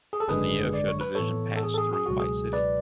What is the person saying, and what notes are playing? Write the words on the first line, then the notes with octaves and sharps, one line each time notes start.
The Neosho division passed through White City.
G#4
A4
G#1 F#2 D3 G#3 G#4 B4
D5
C#5
B4
A2 E3 B3 A4 C#5
A4
G#4
A4
G#4
G#4
C#2 B2 F#3 F#4
G#4
B4 D5